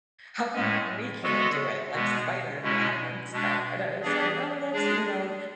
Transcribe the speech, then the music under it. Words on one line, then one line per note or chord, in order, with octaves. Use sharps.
"How come we can't do it like Spider-Man and stuff?" And I was like, "Oh, that's, you know
A2 G#3 C#4
G#3 B3 F#4 A4
B2 G#3 B3
B2 G#3 C#4 E4
B2 G#3 D4
E3 B3 D4 G#4
G#3 D4 G#4